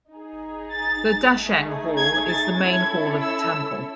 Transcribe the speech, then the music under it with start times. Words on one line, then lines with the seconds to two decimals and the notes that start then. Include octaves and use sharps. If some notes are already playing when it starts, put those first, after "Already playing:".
The Dacheng Hall is the main hall of the temple.
0.12 D#4 G#4
0.74 A6
1.36 A3 D#4 G#4
1.98 G#6
2.29 A6
2.59 C#4 E4 A4 G#6
3.21 E6